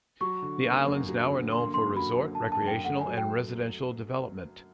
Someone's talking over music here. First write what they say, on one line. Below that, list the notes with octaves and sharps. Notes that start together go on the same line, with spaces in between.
The islands now are known for resort, recreational, and residential development.
F#3 C#6
D3
A#3
F#2
F#3
D3
A#3 C6
F#2 C6
F#3 B5
D3
A5
A#3
A5
F#2
G5
A3 F#5
G#5
F#3
G5